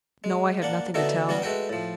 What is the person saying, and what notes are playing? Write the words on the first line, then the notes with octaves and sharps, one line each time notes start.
"No, I have nothing to tell."
G#3
A#3 D4 F#5
B2 D3 A3 D#4 E4 F#4
F#3 G3 B3 C#4 F#4
G#3 A3 F#4 B4 G5
A2 F3